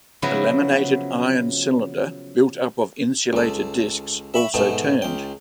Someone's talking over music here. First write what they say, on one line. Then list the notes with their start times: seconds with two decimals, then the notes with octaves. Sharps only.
A laminated iron cylinder built up of insulated disks also turned.
0.22 C#3 F3 F#3 B3 E4
3.33 C#2 A4
4.34 E5 B5 C#6
4.54 G#2 B2 A3 B3
5.02 C#2 G5